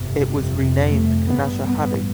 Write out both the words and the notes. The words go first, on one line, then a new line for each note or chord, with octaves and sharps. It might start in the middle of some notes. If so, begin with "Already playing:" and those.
It was renamed Canajoharie.
Already playing: G1 F2 C3
A3
A1 G2 B3
B3